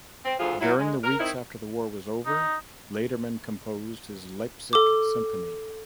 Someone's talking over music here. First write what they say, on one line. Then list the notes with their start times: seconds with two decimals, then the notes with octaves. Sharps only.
During the weeks after the war was over, Laderman composed his Leipzig Symphony.
0.25 C4
0.40 D2 E3 F3 F4 G#4
0.61 F#3 E4
0.79 G#3
1.04 A#4
1.19 D#3 C4 D#4 E4
2.26 D#4
4.73 A4 D6